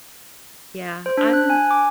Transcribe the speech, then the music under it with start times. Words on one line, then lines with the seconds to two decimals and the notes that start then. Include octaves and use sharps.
Yeah, I'm
1.06 C5
1.17 D4
1.33 F#6
1.50 G#5
1.71 D6